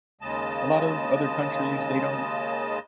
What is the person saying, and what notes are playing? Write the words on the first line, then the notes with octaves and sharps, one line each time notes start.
a lot of other countries, they don't
D#2 C#3 G#3 D#5 A5